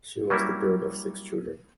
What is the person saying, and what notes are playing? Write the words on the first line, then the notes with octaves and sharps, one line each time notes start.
She was the third of six children.
F#3 G3 A#3 C#4 E4